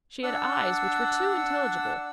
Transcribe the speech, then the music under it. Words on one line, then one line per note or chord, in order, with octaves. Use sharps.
She had eyes which were too intelligible.
D4 F#5 E6